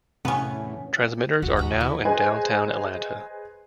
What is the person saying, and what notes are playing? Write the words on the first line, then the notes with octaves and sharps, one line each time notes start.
Transmitters are now in downtown Atlanta.
E2 A2 C3 B3 C#4
D1 F2 F#4
D#2 C#3 D#5 A#5 B5
E3
G#4 B4 C5 D#5 G#5